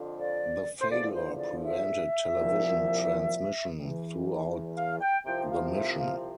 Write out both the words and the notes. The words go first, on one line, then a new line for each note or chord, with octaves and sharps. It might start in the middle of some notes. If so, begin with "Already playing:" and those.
The failure prevented television transmission throughout the mission.
Already playing: F2 D3 F3
D5
C5
E2 D3 F3 D5
C5
D5
E5
C2 A#2 F3
E2 E3
F5
G5
C2 C3 F3 G5
F5
E5
F5